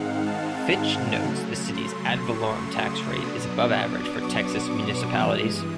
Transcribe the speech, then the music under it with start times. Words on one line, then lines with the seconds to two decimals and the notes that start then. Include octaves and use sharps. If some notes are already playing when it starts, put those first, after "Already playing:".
Fitch notes the city's ad valorem tax rate is above average for Texas municipalities.
Already playing: G#2 D#3 G#3 C4 D#4 F5 F#5
0.26 A5
1.24 C#3 F#3 A3
1.74 C6
2.23 C#6
2.73 D#6
3.22 B2 F#3 B3 D4
3.72 D6
4.22 C#6
4.71 D6
5.20 G2 E3 G#3 D#6